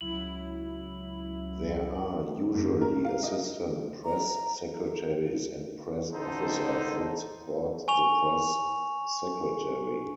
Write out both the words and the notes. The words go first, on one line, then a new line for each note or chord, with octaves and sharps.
There are usually assistant press secretaries and press officers that support the press secretary.
C#2 F#3 E4 F#7
F#1
A#4
F5
D#5
A#5
A1 D3 D#4 A4 C5
G#5 C#6 F7